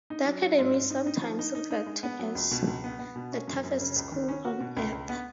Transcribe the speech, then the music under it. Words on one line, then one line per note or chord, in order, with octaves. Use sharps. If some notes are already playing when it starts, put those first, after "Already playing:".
The Academy is sometimes referred to as "The toughest school on earth".
D#4
F#3
F#3
G#2
G#2
D#4
D#4
F3
D#4
D#4
D#4
G#3
B3
F#3
C#2
B2
C#2
B3
B3
B2
C#4
F#2
F#2
C#3
C#2
D#3
C#4
F#4
B2
C#2
C#2
B3